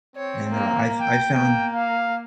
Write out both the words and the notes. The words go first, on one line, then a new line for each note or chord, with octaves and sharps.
and, uh, I've I've found,
C4 C#5
A#3
G5
A#3 G5
F5